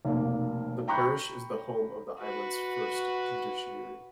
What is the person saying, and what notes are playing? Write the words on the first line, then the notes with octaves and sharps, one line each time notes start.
The parish is the home of the Island's first judiciary.
F1 B1 A#3 F5
G5 A#5 B5 C#6 F#6 G6
F#4 B4